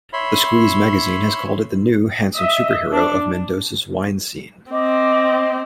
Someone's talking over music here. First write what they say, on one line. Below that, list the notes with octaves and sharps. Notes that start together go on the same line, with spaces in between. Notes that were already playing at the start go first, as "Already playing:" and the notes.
The Squeeze Magazine has called it 'the new, handsome superhero of Mendoza's wine scene'.
C#5 E5 B5 C6
D#5 E5
D4
C4 D#5 D6